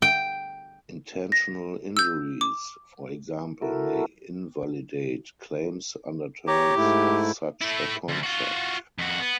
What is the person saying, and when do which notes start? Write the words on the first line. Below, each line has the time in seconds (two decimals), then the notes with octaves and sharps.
Intentional injuries, for example, may invalidate claims under terms of such a contract.
0.02 G5
1.32 A#6
1.97 E6 G6
2.41 D6
3.62 E4 F#4 A4 A#4
6.48 G4 C#5 A#5
6.76 G#2 A3 E4
7.61 A3 E4
8.09 D2
8.24 F4 F#4
8.98 F2 F#4
9.20 B3